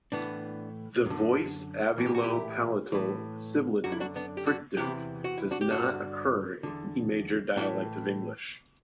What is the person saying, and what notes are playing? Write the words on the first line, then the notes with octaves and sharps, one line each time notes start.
The voiced alveolo-palatal sibilant fricative does not occur in any major dialect of English.
A2 E3 B3 D4
F#2 D3
A2 E3
G4
F#4
E4 G4
A2 E3
F#2 D3 F#4
E4
D4 F#4
B3 D4
G4
D4 F#4
E2 C3 E3 E4 G4
F#4
E4
D4 F#4
G4
G2 D3 D4 F#4
E2 D3
A2 E3 D4 F#4